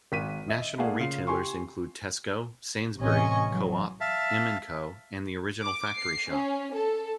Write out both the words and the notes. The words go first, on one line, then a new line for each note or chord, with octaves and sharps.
National retailers include Tesco, Sainsbury, Co-op, M and Co and The Original Factory Shop.
G#1 B6 D#7
D#5 E5
A3 A#3 G#4 D5 F5 F#5
C#3 F4 C7
G4 G#5 C6 C#6
A1 C3 C#4 D#5 G#5 C#6
E3 F#3
E5 F5 A5
D6
C7
C#4
A4